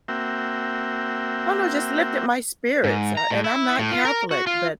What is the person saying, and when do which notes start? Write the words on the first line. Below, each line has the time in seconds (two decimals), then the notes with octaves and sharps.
I don't know, just lifted my spirits, uh, and I'm not Catholic, but
0.08 A#3 C4 F#4 E5 G5
2.84 G#2
3.17 A#5
3.30 A2
3.44 E4
3.79 A2
3.92 F4
4.05 A#4
4.31 F#4
4.47 F4